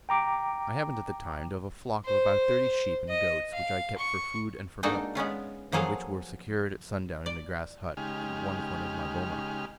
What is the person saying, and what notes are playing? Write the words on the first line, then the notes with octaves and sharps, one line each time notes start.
I happened at the time to have a flock of about thirty sheep and goats which I kept for food and for milk, and which were secured at sundown in a grass hut at one corner of my boma.
G5 A#5 D6
C5
D#5
F5
C#6
G#3 A#3 D4 D#4 F#4 A4
G#3 B3 C#4 F4
F3 F#3 A#3 G#4 A4 F5
D5
C#3 G#3 D#4 G4 G#5 F6